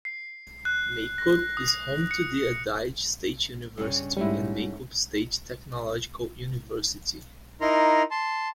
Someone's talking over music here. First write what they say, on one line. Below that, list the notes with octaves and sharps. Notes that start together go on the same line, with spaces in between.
Maykop is home to the Adyghe State University and Maykop State Technological University.
C7
F#6
A#6
D#6
C#7
G2 C#3 C#4
G#2 G3 A3 C#4 E4
D#4 E4 A#4 A#5 C6
A5 C6